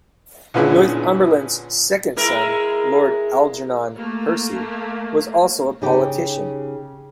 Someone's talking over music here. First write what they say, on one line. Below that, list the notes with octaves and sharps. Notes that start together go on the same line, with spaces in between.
Northumberland's second son Lord Algernon Percy was also a politician.
A#2 D3 B3 C#4 E4 G#4
G#3 E4 A#4
A3 A#3
C#3 D#4 G4